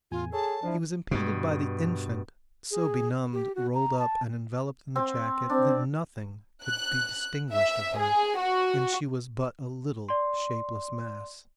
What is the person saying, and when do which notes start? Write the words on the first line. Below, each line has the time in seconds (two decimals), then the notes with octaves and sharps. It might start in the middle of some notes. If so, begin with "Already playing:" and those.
He was impeded by the infant, so benumbed, rolled up and enveloped in the jacket that nothing could be distinguished of her, and she was but a little shapeless mass.
0.11 E2 A2 F4 G#5
0.32 G#4 A4 C#5 A5
0.63 F3 D4 E4
1.11 G2 B2
2.71 G#4
3.33 G4
3.55 F#4
3.74 A#5
3.99 A5
4.96 C4
5.50 C4 D4
6.64 F#6
7.53 E5
7.97 G#4
8.38 F#4
10.09 D5 C6